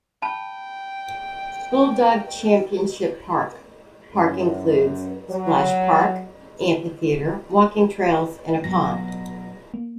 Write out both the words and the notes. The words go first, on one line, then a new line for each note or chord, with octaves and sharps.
Bulldog Championship Park - Park includes splash park, amphitheater, walking trails, and a pond.
G5 A5 B5
F#2
F#3
B2 F#3 A#6
A#3